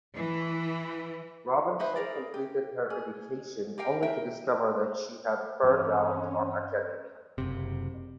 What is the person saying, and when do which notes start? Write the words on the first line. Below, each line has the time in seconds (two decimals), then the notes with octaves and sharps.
Robinson completed her education only to discover that she had "burned out" on academia.
0.15 E3
1.79 D#4 B4 C5 E5
1.96 G#4 A#4 D5
2.34 G4
2.90 G#4
3.78 G4 A#4 F5 G5
4.03 A#4 E5 G5
5.63 G2 E3 C4 C#4
7.38 F#1 C3